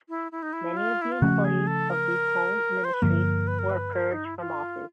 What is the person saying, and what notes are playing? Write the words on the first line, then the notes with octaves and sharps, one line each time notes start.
Many of the employees of the Home Ministry were purged from office.
E4
E4
D#4
E4
F4
E4
F4
C#3 F3 A3 C#4 F#4
G#4
A4
A#4
C5
B4
G2 D3 F3 A#3 A#4
B4
A#4
B4
A#4
D#4
E4
F4